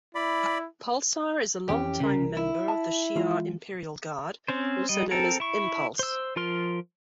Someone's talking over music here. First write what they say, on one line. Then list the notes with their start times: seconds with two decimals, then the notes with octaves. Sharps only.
Pulsar is a long-time member of the Shi'ar Imperial Guard, also known as Impulse.
0.15 E4 D5 B5
1.69 F2 E3 C#4 G4
2.00 C2 C#3 A#4
2.37 E4
2.68 A5
3.15 E3 G#3 F4
4.48 C4 C#4 C5
4.89 G3 D#5
5.11 C4 A4 A#4
5.40 E4 C#6
5.99 C5 E6
6.36 F3 F4 A#4 C6 F6